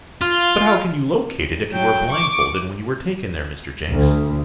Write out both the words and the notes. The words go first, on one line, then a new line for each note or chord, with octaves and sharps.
"But how can you locate it, if you were blindfolded when you were taken there, Mr. Jenks?"
F4
F#3 G5
C#6 D6
D2